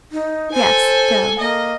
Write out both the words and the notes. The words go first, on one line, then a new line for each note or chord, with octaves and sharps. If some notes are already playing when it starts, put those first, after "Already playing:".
"Yes, go."
D#4
A4 C5 G#5
A#3 D#5